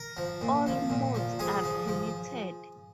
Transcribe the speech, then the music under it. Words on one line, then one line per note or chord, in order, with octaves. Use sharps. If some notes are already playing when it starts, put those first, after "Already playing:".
All modes are permitted.
Already playing: A#4
F3
A#2
F3
A#2
F3
F3 G#4
F3
F3